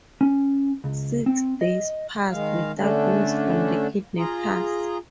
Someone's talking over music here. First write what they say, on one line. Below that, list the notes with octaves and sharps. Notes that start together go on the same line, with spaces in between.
Six days passed without news from the kidnappers.
C#4
C#2
C4
D#5
D#3 G#3 F5
D3 A3 C#4 D4
F4 G#4 A#5